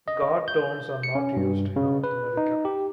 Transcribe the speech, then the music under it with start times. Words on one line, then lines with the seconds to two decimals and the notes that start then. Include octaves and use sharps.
Guard tones are not used in North America.
0.08 D#5
0.48 G6
1.03 C#7
1.15 C#4
1.37 G2
1.76 C#3
2.04 B4
2.37 D#4
2.65 G4